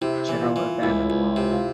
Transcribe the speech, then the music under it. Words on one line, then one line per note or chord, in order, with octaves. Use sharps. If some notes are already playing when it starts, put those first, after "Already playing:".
General Evander Law.
C3 E4
E3
F4
E3
C#2 E4
C#2
C3
F4